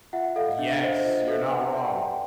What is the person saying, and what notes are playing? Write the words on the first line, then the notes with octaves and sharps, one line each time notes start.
Yes. You're not wrong.
F4 E5 F#5
A4 D#5 F5
D4 E5
C5 D#5
F4 D#5
A4 E5
B4 F#5 G#5
D5
G5 A5
G4